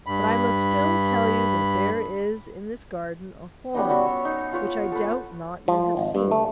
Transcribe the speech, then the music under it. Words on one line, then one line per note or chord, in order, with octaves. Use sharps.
But I must still tell you that there is in this garden a horn which I doubt not you have seen.
G2 B5
G3 B3 C#4 D#4
B3 F#4 E5
C#5
D#4
F4 B4 C#5
A4 B4
F3
G#1
G2
A3